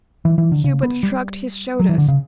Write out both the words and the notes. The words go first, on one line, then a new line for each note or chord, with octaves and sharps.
Hubert shrugged his shoulders.
E3
E3
D3
C#3
B3
G3
F#3
E3
D3
C#3